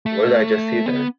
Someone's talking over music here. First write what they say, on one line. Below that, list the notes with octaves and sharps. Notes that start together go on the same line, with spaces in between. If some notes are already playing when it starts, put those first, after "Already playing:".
What did I just see then?
A3
B3